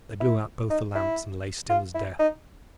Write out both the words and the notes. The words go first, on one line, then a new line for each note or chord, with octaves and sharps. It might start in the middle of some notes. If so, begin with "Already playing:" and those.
They blew out both the lamps and lay still as death.
E4
D#4
E4
F4
E4
D#4